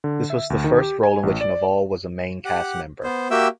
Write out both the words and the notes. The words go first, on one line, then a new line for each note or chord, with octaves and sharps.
This was the first role in which Neval was a main cast member.
D3
E5
D2
D#3
G4
G#5
A1
D5
G4 F#5
B3 C5
A#3 F#4 G4 E5 G5 E6